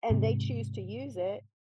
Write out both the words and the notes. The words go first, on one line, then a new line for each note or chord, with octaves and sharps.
and they choose to use it,
G#2 C3